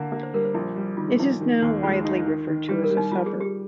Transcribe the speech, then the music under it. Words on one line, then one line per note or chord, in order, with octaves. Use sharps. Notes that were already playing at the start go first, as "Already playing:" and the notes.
It is now widely referred to as a suburb.
Already playing: D3 A#3
A#3
C5
G3 A#4
C5
A#1
G3
D#3 F4
A#1
D#3
D#2
G#3 F4
D#4
D#3
D#3
G3 G4
A#4
G3
D#4
G3 F4
G#4
G3
G4